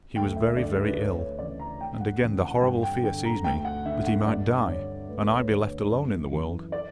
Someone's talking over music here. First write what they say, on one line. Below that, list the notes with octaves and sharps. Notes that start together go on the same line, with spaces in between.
He was very, very ill; and again the horrible fear seized me that he might die, and I be left alone in the world.
D2 G5
E5
D3 D5
B4
D2 C#5
C#5
C#3 E3 D5
A#5
D2 G5
F#5
C#3 E3
F#5
G2 G5
G5
D3 G5
A#5
D2 G5
F#5
D3 E5
F#5
G2 D5
D3 C#5
D2 B4
C#5
D3
C#5
F#2
E3
D5